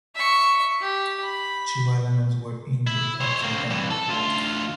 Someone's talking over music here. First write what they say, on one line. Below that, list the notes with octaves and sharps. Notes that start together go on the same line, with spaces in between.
Two elements were injured after that.
E5 C#6
G4
B5
E4
C5 C#5
A#3 C4
C2 E3
A4
D2 F4